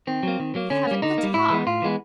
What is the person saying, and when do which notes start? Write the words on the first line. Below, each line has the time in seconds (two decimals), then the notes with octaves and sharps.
"We haven't the time."
0.07 D#3 C4
0.23 F#3 A#3
0.40 D#3
0.55 F#3 A#3
0.70 D3 C#4
0.87 G3 A#3
1.02 D3 D#4
1.18 A#3
1.23 G3
1.34 A2 E4
1.50 E3 G#3 B3
1.67 A2 F4
1.82 E3 G#3 B3